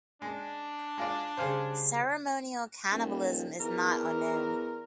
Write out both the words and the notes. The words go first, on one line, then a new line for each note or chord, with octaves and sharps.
Ceremonial cannibalism is not unknown.
G#3 D4
G#3 F4 D5
C#3 G3 C#4 C5 F5 G#5
D#1
E2 A#4